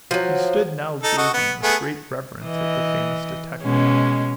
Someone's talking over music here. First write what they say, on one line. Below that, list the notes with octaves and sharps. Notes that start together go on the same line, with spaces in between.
He stood now gazing with great reverence at the famous detective.
F3 F#3
D#4 A4
F#4 A4 D#5
B3
A3 B3 G#4
E3 D#5
B2 G#3 C#4